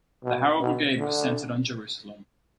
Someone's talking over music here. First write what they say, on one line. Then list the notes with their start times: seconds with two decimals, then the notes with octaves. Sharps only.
The Harel Brigade was centered on Jerusalem.
0.24 B2
0.60 B2
0.97 D3